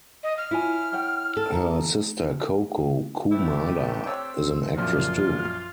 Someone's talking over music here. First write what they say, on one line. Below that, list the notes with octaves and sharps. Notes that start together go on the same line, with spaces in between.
Her sister Koko Kumada is an actress too.
D#5
F6
E4 F4 C#5 G#5
C#5 F#5 G5
A4
A#5
A3 D4 E4 G4
C4 C#5 E6
A#1 F#2 A#2 F3 F4 F6